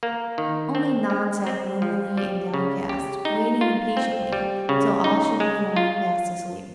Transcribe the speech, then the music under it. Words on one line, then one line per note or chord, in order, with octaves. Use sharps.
Only Nod sat gloomy and downcast, waiting impatiently till all should be lying fast asleep.
A#3
D#3
C4
G#3
C4
F3
G3
C#3
G4
D#4
F4
C4
G3
C#3
D#4
G#3
F4